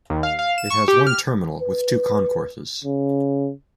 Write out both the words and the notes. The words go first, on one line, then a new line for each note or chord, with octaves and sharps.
It has one terminal with two concourses.
D#2
F5
F5
E7
C#6
G4
F6
B4
C#3